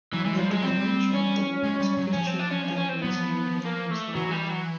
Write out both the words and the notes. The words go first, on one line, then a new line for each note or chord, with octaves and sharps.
At the convention, the Woman's Christian Temperance Union was founded.
E3 F#3
E3 G#3
F3 G3
F#3 G#3
G3 C4
F#3
G3
C#4
G#3
G3
F#3
F3 C#4
C4
D4
C#4
C#4
C#4
C4
F#3 B3
F3
A#3
A3
E3 F#3
G3
F#3